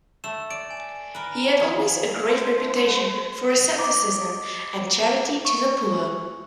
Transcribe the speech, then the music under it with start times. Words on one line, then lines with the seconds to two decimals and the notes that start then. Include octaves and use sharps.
He had always a great reputation for asceticism and charity to the poor.
0.24 A3 E7
0.50 D5 D7
0.70 G#5
1.15 A#4 B4
1.59 D#3 F3 G#4
2.27 A3 C5
3.79 D#5 D6
5.45 C#6